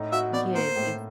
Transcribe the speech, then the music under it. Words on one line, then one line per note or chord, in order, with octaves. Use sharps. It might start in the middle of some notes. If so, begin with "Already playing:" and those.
Yes, it's
Already playing: A2 D#4
F#4 E5
B3 D5
A#3 C5
A2